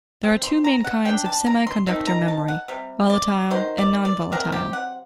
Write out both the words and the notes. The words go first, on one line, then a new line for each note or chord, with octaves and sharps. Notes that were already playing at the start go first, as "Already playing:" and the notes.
There are two main kinds of semiconductor memory, volatile and non-volatile.
G3 C4
C6
A#5
F#5
G3 D4 G5
A5
A#5
C6
D#3 A3 C4 D#4
A#5
A5
F#5
C3 G3
D5
D#3 F#3 C5
D5
D5
C3 F#3 C4 A#4
G4
F#5